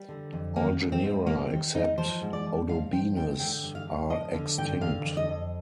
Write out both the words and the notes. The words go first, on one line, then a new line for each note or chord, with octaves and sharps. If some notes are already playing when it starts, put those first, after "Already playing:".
All genera, except "Odobenus", are extinct.
Already playing: G3
D3
F2
D#3 A#3
G#2
C4
G#2
G3 A#3
D#3 C4
G#2 D#4
F3 C5
G#2
D5
F3
G#2 F5
F3 G5
G#2 G5
D3 G5
G2
F5
G2
F3 D#5
D3 F5
G2 G5
D3 F5
F2
D#5
F2